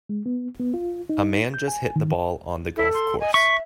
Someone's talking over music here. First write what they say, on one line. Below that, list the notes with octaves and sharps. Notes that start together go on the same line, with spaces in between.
A man just hit the ball on the golf course.
G#3
B3
B3
F4
D#4
G6
G#5
D#3
E4 A4
C6
D#5 G#5
E5 C#6 B6